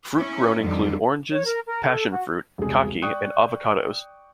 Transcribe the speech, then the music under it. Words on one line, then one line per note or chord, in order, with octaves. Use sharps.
Fruit grown include oranges, passionfruit, kaki and avocados.
C#4 E4
F2 D3 D#3 G3
C#5
A#4
A#4
A4
F#4
E1 C2 G#4
D5 G5 C#6 D#6 F#6